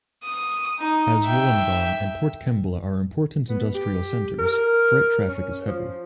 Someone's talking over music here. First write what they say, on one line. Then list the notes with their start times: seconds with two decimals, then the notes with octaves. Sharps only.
As Wollongong and Port Kembla are important industrial centres, freight traffic is heavy.
0.23 D#6
0.79 D#4
1.24 E5 G5
3.49 B3
3.74 G4
4.39 A#4
5.28 C#4
5.67 F3